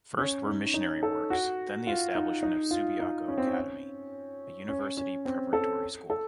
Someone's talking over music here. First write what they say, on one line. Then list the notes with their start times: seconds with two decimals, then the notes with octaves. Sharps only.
First were missionary works, then the establishment of Subiaco Academy, a university-preparatory school.
0.18 C#4
0.46 D#4
0.74 D#4
1.03 A4
1.30 F#4
1.87 F4
2.15 D#4
2.43 D#4
2.71 F4
3.00 D#4
3.28 C#4
3.38 C4
3.47 C#4
4.69 C#4
4.97 C#4
5.25 C4
5.53 A4
6.10 A4